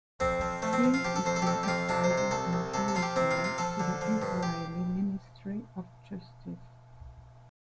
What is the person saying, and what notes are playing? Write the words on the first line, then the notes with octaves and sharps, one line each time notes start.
He is the advisor on Jewish Law to the Israeli Ministry of Justice.
F2 C4
F3
F3 A3
C4
F3
F4
F3 G4
A4
F2 C5
A4
G4
F2 A4
G4
F2 F4
C3 D4
C5
C3
C5
C2 A4
C2
C3 A4
A4
F3 F4
G4
C3 C4
F4
C3
F4
F3 A4
D3
F3
G2
G4